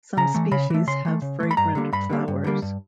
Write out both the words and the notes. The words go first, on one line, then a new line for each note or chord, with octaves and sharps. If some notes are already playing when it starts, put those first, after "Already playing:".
Some species have fragrant flowers.
C#3 A#5
E3 A3
C#3 B5
E3 A3
C#3 C6
E3 A3
C#3
E3 A3
B5
G2 A#5
D3 G3 A#3
G2 B5
D3 G3 A#3
G2
D3 G3 A#3
G2